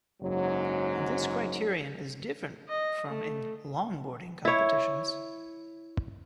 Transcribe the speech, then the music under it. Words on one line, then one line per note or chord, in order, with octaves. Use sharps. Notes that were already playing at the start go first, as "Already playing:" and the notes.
This criterion is different from in longboarding competitions.
F#1 G#2 F#3
D#5
A3
E4 C#5